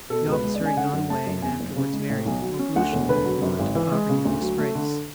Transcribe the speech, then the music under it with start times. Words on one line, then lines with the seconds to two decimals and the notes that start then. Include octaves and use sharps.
The officer had gone away and afterwards married, while Grushenka had been left in poverty and disgrace.
0.10 B2 A4
0.26 C#2
0.32 B4
0.44 G#3
0.54 D5
0.60 C#4
0.66 G#5
0.76 D3 F#5
0.93 F#2
1.10 A3 A5
1.27 F#2
1.42 E2 G#5
1.60 F#1
1.76 C#3
1.93 G#3
2.10 A2
2.26 B1
2.42 F#3
2.59 C#4
2.76 D2 F#5
2.92 E1
3.09 D3 B4
3.25 F#3
3.42 F#2
3.59 G#1
3.75 E3
3.92 G#3
4.09 C#3
4.25 D2
4.42 F#3
4.58 A3
4.75 D3